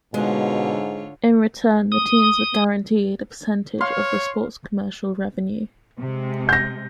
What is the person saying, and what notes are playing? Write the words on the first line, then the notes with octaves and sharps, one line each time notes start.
In return the teams were guaranteed a percentage of the sport's commercial revenue.
G#2 B2 D3 G#3 F4 C#5
D#6
C#5 F5 C6
C3 G#3
G6 A#6